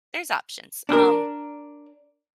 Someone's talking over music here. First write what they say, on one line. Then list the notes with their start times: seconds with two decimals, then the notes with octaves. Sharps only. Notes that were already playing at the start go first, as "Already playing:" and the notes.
there's options, um,
0.89 D4 A#4